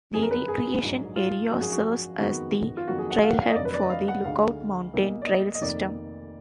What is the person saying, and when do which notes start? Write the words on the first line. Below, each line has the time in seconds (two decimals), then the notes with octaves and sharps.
The recreation area serves as the trailhead for the Lookout Mountain Trail system.
0.14 F#1 F2 D3 G#4
0.22 A#4
0.31 B4
0.48 G#4
0.83 A#1 G#2 F#3
1.16 F4
1.51 G#1 F#2 F3 F#4
1.61 G#4
1.72 F#4
2.19 F#1 F2 D#3 G#3 B3 F#4
2.77 F4
2.88 F2 D#3 F#3 A#3 F#4
2.98 G#4
3.10 F#5
3.22 F5
3.30 F#5
3.39 F5
3.48 D#5
3.56 F1 F2 D3 F#3 D5
3.65 B4
3.74 D5
3.82 D#5
3.90 F5
4.08 F#5
4.24 D2 D3 G#3 D#4 F5
4.93 B1 B2 A#3 D#4
5.22 D5
5.27 D#5
5.54 D#5
5.61 F1 F2 D#3 A#3 D#4 D5